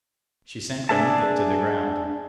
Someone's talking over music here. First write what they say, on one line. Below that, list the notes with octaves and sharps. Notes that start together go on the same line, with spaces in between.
She sank beneath it, to the ground.
D4 G#4 E5 A5